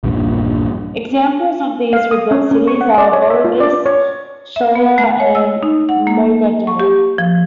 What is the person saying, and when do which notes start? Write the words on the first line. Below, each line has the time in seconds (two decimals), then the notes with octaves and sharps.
Examples of these rebuilt cities are Volubilis, Chellah and Mogador.
0.04 A#1 E2 G2 A#2
1.93 F5
2.11 D#6
2.31 C#4
2.51 C#4
2.67 C#6
2.81 F#5
2.98 D5
3.13 C#5
3.30 E5
3.45 F4
3.60 D5
3.86 C#5
4.56 E5
4.75 B3
4.98 A3
5.20 C#5
5.35 E6
5.63 D#4
5.89 F#5
6.07 A#3
6.67 C#6
6.80 G4
7.18 F3